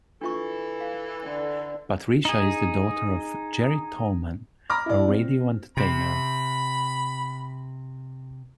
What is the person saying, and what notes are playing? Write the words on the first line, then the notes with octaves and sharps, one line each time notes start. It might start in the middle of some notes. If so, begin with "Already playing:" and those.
Patricia is the daughter of Jerry Tallman, a radio entertainer.
E3 D4 F4 A4 C#6
F5
D3
D#4 G#4
A#5 B5 D6 F6 A#6
E4 D5
C4
C3 B5